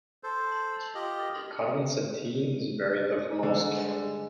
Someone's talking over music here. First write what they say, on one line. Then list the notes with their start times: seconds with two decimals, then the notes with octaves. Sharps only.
Cotton sateen is a variant of moleskin.
0.23 A4 C5
0.95 F4 G4 D#5
3.43 G2 D3 G3 G#3